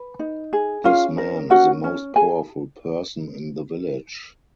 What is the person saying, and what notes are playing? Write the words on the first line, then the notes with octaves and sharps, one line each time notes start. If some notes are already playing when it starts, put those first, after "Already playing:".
This man is the most powerful person in the village.
Already playing: B4
D#4
G#4
C#4 F4 F5
A#4
C#4 F#4 F#5
C#4
G#4 G#5